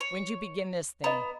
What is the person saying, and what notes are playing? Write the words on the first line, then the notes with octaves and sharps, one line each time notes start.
"When'd you begin this thing?"
C#5
B3 D#5 A#5